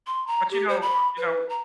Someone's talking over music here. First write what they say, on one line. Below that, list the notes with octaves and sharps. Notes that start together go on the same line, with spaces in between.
But, you know, uh, you know
C6
A#5
G4
C5
B5
B4
A#5